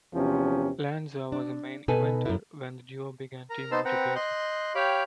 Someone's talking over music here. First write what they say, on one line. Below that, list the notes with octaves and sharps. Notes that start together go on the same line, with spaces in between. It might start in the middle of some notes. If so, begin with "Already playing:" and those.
Lanza was a main-eventer when the duo began teaming together.
E2 C3 F3 C#4
D4
B2 D#4 A4 B4 G#5
F#2 E4
A#4 A#5
B3 D#4 C5 A5 C6 E6
C4 B4 F#5 G5 A#5
D#5 C6 F#6 G6
G4 C#5 F5 G5 B5 D6